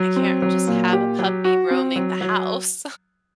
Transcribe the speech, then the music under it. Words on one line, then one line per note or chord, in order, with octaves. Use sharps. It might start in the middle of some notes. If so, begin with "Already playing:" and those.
I can't just have a puppy roaming the house."
Already playing: F#3
C4
F#3
A#2
G4
F#3
F#4
C4
F#3
F#3